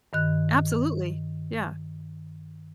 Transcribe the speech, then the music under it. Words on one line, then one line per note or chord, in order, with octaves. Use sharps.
Absolutely. Yeah.
G2 D#3 F#6